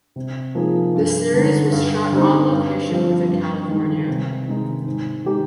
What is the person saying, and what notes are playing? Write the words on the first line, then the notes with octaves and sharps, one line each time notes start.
The series was shot on location within California.
C3
F3 A#3 D#4 G#4
G2
D3 G#3 D#4
G2
D3 G3 C4 D#4
G2
F3 C4
G2
D#3 G#3
C3
D#3 G#3 D#4
G#2
D#3 G#3 D#4 G4